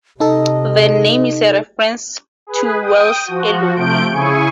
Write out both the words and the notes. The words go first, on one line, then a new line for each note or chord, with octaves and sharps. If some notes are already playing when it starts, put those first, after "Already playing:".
The name is a reference to Wells' Eloi.
C3 D#4 A4 D#5
G#4 B4
G5 D#6
F3 F#4
C3 F3 A3 G6 D7
C#3 E4 G#4 G#5 C#6